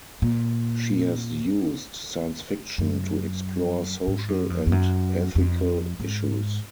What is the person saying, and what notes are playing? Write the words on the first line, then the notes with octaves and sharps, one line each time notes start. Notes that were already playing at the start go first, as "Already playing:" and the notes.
She has used science fiction to explore social and ethical issues.
A#2
F#2
G#2
F#2
F2
F2
F#2
F2
G#2